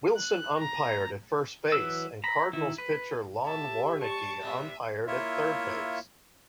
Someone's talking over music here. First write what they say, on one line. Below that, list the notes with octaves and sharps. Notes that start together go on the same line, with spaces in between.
Wilson umpired at first base, and Cardinals' pitcher Lon Warneke umpired at third base.
F#6
A#5
E3 F#3 B4 E6
A#5 B5
D#3 E4
B4
G4 C#5 E5 A5
G3 A5 C#6
A2 C3 G3 E5
A#3 E4 F4 C#5 E5